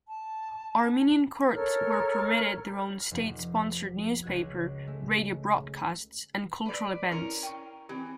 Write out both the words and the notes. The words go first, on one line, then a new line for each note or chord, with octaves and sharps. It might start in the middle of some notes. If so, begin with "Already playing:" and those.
Armenian Kurds were permitted their own state-sponsored newspaper, radio broadcasts and cultural events.
A5
A4 A#4 C#5 F6
F1 F3
C#2 F#4 F#6 G#6
G#3 A3
B4 D5
C#4 E4 A#4
G5 C#6
E3 C4 G4